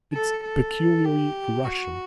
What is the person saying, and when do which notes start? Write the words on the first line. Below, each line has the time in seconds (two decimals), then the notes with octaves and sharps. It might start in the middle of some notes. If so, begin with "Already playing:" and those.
It's peculiarly Russian.
0.13 A4
0.45 A4
1.04 G4
1.65 F#4